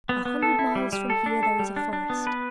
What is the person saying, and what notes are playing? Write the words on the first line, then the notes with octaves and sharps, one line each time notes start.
A hundred miles from here there is a forest.
B3
B3
A4
E4
G3
G3
A4
D4
A4
G3
D4
D4
B3
B4